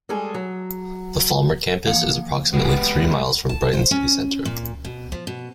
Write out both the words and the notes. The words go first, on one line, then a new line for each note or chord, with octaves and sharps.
The Falmer campus is approximately three miles from Brighton city centre.
G3 G#3 G#4 A4
F#3
E3 F3 A#3 F5 F#5
G#3 B3 G4
A5
C5
C#4
A#2
B2
F3
B2